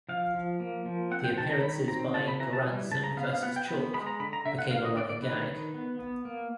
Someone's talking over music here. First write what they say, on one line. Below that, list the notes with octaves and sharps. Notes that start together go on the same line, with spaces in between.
The appearances by Goranson versus Chalke became a running gag.
F3 F5
F3
A#3
F3
C4 F#5
G5
D#3 A5
A#5
D#3 B5
C4 A#5
C#3 A5
B5
E3 A#5
A5
G3 G#5
C#3 A5
A#5
B3 F5
F5
B3 F#5
G5
B3 B5
G#3 B5
A#5
D3 B5
A#5
D3 E5
F#5
A#3 F5
D#5
D3 D5
D5
D#3 B4
D#3
B3
B3
A#3